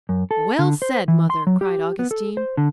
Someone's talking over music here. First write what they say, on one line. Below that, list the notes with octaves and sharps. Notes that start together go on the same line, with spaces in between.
"Well said, mother!" cried Augustine.
F#2
A4
D3
C5
E3
C6
F#3
G4
B3
A4
C5
D3